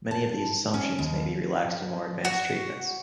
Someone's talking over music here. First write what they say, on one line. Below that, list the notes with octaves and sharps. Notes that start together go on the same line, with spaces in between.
Many of these assumptions may be relaxed in more advanced treatments.
A5
C#4
D#2
F#4